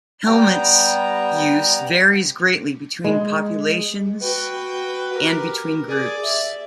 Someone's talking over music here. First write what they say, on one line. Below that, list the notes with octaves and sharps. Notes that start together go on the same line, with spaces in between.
Helmets use varies greatly between populations and between groups.
G3 B3 G5 A#5
G#3
F#4 B4 G5
G4 A#4
G#4 D5
E5